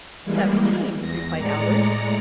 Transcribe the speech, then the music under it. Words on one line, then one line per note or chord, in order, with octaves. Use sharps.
"Seventeen!" replied Albert.
E3 G3 G#3 A#3
E2 A#6
A2 G#3 D5 A#5 C#7